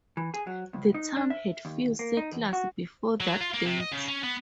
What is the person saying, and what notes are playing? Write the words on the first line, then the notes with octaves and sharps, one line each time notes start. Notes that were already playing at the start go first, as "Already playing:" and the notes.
The town had few settlers before that date.
E3
G#4
F#3
C#2
D#4
D4
E5
D#2
A#3
D#4
E2
F#4
F#3
F4
A#3
C3
D#5
C#3
C#4
B3